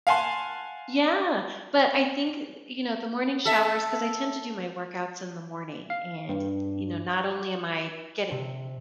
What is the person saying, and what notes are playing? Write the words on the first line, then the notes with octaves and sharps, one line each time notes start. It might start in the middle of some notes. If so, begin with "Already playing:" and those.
Yeah. But I think, you know, the morning showers 'cause I tend to do my workouts in the morning, and, you know, not only am I getting
F5 F#5 G#5 A5 C6
A4 E5
F5
G2
C3